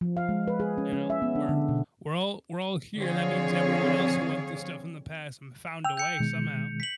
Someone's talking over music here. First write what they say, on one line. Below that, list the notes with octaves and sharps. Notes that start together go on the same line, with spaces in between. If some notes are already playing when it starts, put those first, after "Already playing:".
You know, we're we're all we're all here, that means everyone else who went through stuff in the past and found a way somehow.
F3
F5
G#3
B4
G#4
C#4
C#4
E5
B3
D4
D3
B2
D3 F3 C4 G#4 C#5 F5
G5 E6 F7
G6 C#7
B2 D#3 G#3
B6 F#7